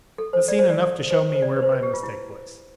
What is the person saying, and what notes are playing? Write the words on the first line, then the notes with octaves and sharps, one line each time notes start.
I've seen enough to show me where my mistake was.
A4
C5
D5
C5
D5
C5
C5
D5
B4
C5
B4
G4
F4
E4